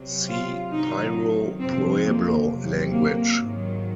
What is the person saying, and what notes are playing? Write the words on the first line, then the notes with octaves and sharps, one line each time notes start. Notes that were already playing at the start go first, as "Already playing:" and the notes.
See Piro Pueblo language.
Already playing: C3 F#3
F4
C3 D#3 F#3 D#4
F2 C3 F3 C4
A#3
C3 F#3
A#3
G#2 D#3 F#3